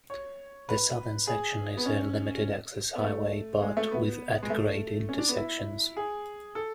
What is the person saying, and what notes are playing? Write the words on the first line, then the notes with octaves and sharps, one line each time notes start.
The southern section is a limited-access highway, but with at-grade intersections.
C#5
B4
G#4
B3
C#4
B3
A3
G#3
A3
B3
G#3
A3
C#4
D4
B3
E4
G#4
A4